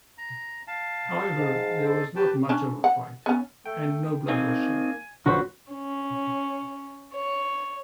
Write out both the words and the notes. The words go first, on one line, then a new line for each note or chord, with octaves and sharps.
However, there was not much of a fight, and no blood was shed.
A#5
F5 A5
G#2
A4 C5 D5
G4 B4 G5 A5
C#4 D4
F#5
B3 C#4
A3 G5
A#3 C4 D#4 G#5
A1 F2 A#2 D3 F#4 B4 C5
C#4
C#5